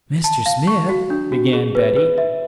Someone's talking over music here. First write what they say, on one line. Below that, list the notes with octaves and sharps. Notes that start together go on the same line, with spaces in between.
"Mr. Smith," began Betty.
A5
F5
C#6
F#4
D4
F#4
G#4
B4
B4
E5